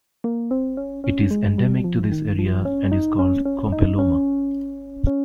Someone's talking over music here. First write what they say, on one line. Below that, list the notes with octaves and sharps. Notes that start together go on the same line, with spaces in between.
It is endemic to this area and is called Kompelloma.
A#3
C4
C#4
C#4
G#3
G3
F3
D#3
F3
C#4
D#4
C#4
C#4
D#4
C#4
C#4